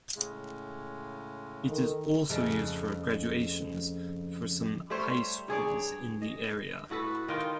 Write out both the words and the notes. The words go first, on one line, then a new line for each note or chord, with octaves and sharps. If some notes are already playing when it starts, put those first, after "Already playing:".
It is also used for graduations for some high schools in the area.
A2 C#3 G#3
D#3 A4
F2 C#3 A3
G3 A3 C5 C#5
G2 G#4 C#5 D5
D#5
A2 F#4 A4 B4
D#3 D#4 F4 G5